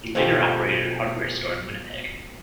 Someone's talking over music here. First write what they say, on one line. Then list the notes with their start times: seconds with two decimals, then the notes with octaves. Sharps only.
He later operated a hardware store in Winnipeg.
0.15 B2 F3 G#3 A3 G4